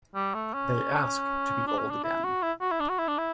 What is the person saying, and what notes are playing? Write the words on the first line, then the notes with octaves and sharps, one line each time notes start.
They ask to be old again.
G3
A3
C#4
D4
C#4
D4
E4
F#4
E4
F#4
E4
D4
F#4
E4
D4
E4